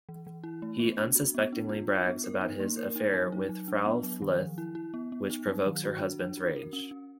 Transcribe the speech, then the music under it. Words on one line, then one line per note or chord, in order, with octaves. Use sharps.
He unsuspectingly brags about his affair with Frau Fluth, which provokes her husband's rage.
E3
E3
E4
A3
B3
D4
F#4
B3
D4
F4
D4
B3
A#4
D#4
A#3
A#4
D#4
F#3
D#4
F#3
D4
B3
F#3
D#3
F3
E4
E4
B3
B3
D#4
F#3
D#3
F#4
D4
D4
F#4
A#4
C#4
C#4